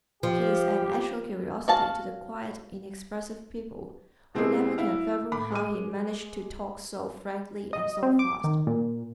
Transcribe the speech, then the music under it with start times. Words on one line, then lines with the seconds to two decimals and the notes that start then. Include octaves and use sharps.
He is an actual curiosity to the quiet, inexpressive people who never can fathom how he manages to talk so frankly and so fast.
0.23 F3 G4
1.68 F#4 F5 A5
4.35 B2 G#3 C4 E4 G4 G#4
4.78 E4 E5 F5
5.32 A2 B5 D6
5.52 G#3 D#7
7.73 D#5
8.03 C4
8.19 D6
8.44 D#3
8.67 A#2